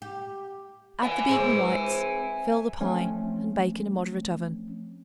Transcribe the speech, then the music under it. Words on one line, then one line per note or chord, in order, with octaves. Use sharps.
Add the beaten whites; fill the pie and bake in a moderate oven.
G4
E5 G#5
G#3 C4 C#5
F3 A3 C4 C#4